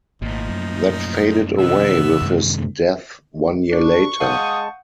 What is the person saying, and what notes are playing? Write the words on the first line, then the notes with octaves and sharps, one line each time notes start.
That faded away with his death one year later.
G#1 A#2 F3 A3 D#4
F#2
C3 D#3 B3 E5 E6
F#2 G#3
D4 C#6
G#3 F5 F#5 A5 D#6 G6